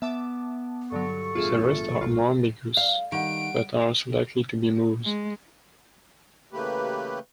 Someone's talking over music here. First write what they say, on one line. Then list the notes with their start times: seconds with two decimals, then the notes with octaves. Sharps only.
The rest are more ambiguous, but are also likely to be moose.
0.02 B3 E5 A5 D6
0.92 G2 D3 F#3 A4 C#6
1.35 A1 G2 B2 F4 G#4 E5
2.01 B1 G#2 F4
2.77 F5
3.12 D#3 G3 F#5 D7
5.05 G#3
6.53 C#3 E3 A3 A#3 G4 B4